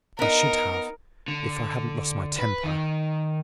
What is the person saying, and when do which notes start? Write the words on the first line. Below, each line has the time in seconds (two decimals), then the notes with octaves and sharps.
I should have, if I hadn't lost my temper.'
0.19 B3 D#4 A#4
1.28 D3
2.39 B4
2.63 D#3